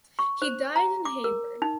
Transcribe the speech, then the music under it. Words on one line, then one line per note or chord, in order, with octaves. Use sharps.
He died in Hayward.
C#6
C5
A#5
D6
A#4
D#4